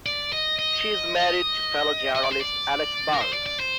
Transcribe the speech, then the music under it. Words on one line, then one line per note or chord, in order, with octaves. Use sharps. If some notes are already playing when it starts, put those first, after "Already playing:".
She is married to fellow journalist Alex Burns.
D5
D#5
D#5
D#5
D5
C5
D5
A#4
C5
D5
D5
C5